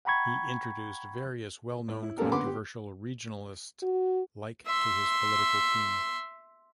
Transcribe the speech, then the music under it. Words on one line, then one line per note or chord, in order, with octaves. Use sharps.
He introduced various well-known controversial regionalist like to his political team.
F#5 G5 A#5 B5 C#6 G#6
A2
E4
F#2 A#3 B3 G4 A4 A#4
D3 B3 F#5 B5 C6 D6
G4
F#4
E5 C6